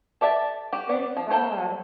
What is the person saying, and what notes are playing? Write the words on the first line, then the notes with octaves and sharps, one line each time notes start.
very sad.
A4 D5 E5 F#5 A5
F#4 G4
B3 D5 F#5
F3
C4 A4 C5 C#5